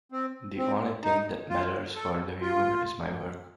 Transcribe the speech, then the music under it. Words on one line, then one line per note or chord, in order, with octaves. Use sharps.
The only thing that matters for the viewer is my work.
C4
C4
D#4
F4
A4
F4